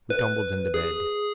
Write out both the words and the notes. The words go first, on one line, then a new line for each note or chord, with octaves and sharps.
We tumbled into bed.
B4
G#4